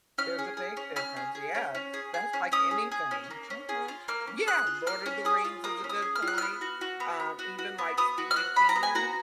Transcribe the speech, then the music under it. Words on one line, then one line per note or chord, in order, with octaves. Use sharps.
There's a big difference, yeah, that's like anything, mhm Yeah, Lord of the Rings is a good point, um, even like Stephen King's,
C#4 F6
G#4
G#4
C#4
C#4 F6
G#4
G#4
C#4
C#4
G#4
G#4
C#4
C#4 D#6
G#4
G#4
C#4
A#3
C#4
G#4
F4
A#3 F6
C#4
G#4 F#6
F4
A#3 F6
C#4
G#4 D#6
F4
A#3 D#6
C#4
D#6
G#4
F6
F4
F#6
B3 F6
F#4
F#4
B3
B3
F#4
F#4
B3
B3 D#6
F#4
F6
F#4 F#6
B3 B5
A#5
B3
G#5
F#4 A#5